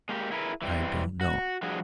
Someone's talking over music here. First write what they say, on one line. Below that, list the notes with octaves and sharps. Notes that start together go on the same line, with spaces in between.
I don't know....
G#3 A#3 G4
E4 G#4 A#4 B4
E3 G3 C4
F#4
F3 G3 D4 F#4 G#4